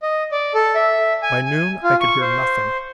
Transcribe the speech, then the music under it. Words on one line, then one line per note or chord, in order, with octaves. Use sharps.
By noon I could hear nothing.
D#5
D5
A4
E5
G#5
G#5
F4
C#6
C5